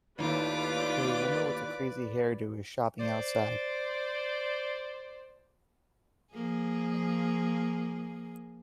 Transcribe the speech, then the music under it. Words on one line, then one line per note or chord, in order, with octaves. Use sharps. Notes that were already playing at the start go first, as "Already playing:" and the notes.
A woman with a crazy hairdo is shopping outside.
D#2 A2 F4 B4 D5 D6
C5 D5
F3 A#3 G#4